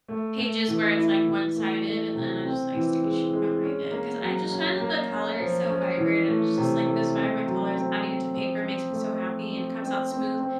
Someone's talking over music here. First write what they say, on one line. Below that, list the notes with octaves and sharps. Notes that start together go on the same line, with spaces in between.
pages where it's, like, one-sided, and then I just, like, stick a sheet behind it, 'cause I just find that the color is so vibrant, and it's just, like, those vibrant colors adding it to paper makes me so happy, and it comes out smooth,
A3
A3
E3
E4
E3
A3
A3
C3
C4
E3
G#3
G#3
C#4
A#3
F#3
C#4
A#3
C#4
F3
C#4
E3
A3
C3
A3
C4
F#3
C4
C4
F3
C4
A3
F3
C4
C4
C4
C4